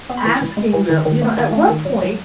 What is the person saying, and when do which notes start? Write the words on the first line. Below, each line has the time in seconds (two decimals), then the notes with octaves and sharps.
asking them, you know, "At what point
0.10 B3
0.17 B5
0.25 E3
0.42 E3
0.57 G#3
0.73 E3
0.89 D#3
1.05 D#3
1.22 A3
1.37 D#3
1.53 A3
1.69 D#3
1.85 F#3
2.01 F#3